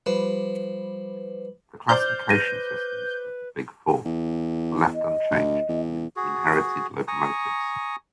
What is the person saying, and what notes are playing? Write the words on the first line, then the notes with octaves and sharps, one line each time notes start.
The classification systems of the 'Big Four' were left unchanged for the inherited locomotives.
F3 G3 B4
C5 D5 F6 G6
B4 A#6 D#7
E2
D#5
D2
E2
F#4 G#4
G#5 A#5 C#6 D#6